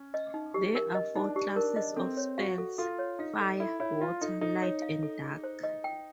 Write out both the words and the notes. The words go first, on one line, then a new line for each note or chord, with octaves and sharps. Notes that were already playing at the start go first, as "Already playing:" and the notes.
There are four classes of spells: fire, water, light, and dark.
Already playing: C#4
D#5
D#4
G4
A#4
D#5
D4 D#4
G4
D4 A#4
D#5
C4 A4
C#5
F#4 F5
A4
F4 A4
C#5
D#4 F5
A4
E4 A4
E4 C#5
F4 F5
D#4 A4
D#4 A4
C#5
F5
A4
G#4
C5
D#5
G5